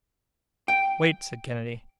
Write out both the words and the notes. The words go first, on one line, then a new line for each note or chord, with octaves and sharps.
"Wait!" said Kennedy.
G5